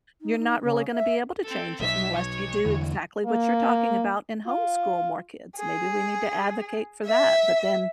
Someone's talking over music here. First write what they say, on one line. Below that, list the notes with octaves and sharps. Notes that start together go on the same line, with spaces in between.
you're not really gonna be able to change it unless you do exactly what you're talking about and homeschool more kids. Maybe we need to advocate for that but then
D#4
D#4
C#3
E5
C4 A4
B1 E5 B6
C#5
E2 D3 E3
A#3
F4
G#4
E5